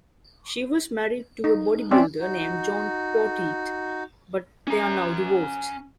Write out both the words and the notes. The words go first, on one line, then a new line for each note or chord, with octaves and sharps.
She was married to a bodybuilder named John Poteat, but they are now divorced.
D#4
C4 C#4 D5 E5
D#4 F#4
C#4 A#5